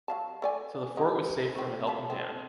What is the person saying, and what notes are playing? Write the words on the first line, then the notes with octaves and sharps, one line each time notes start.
So the fort was safe from a helping hand.
F#3 F5 A5
A3 D5 G#5
G#3 G4
A3 C4
E5 F5 A5
G#3 A3 C4